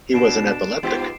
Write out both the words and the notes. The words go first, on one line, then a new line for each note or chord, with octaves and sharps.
He was an epileptic.
B2 D3 G#3 D4 C7 D7 E7
G#2 B3 F4 G4